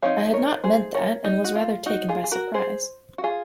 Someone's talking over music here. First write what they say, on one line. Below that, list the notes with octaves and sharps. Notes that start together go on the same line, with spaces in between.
I had not meant that, and was rather taken by surprise.
F3 C4 D#4 C#5 F5
A#4 C#5
G#4 C5
A#4 C#5
D#4
F#4
F4
D#4 F#4
F4 G#4
G#4
F#4 A#4
G#4 C5
F#4
F4 G#4